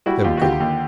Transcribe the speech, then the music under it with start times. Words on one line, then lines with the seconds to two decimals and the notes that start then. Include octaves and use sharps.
They were gone.
0.06 G3 E4 F#4
0.24 D#2 F4 G4
0.37 F#4
0.42 D3 F4 G4
0.60 D#2